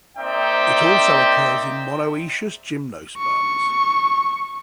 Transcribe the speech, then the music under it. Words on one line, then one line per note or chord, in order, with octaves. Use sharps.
It also occurs in monoecious gymnosperms.
A#3 C4 D#4 D5 E5 G5
C#6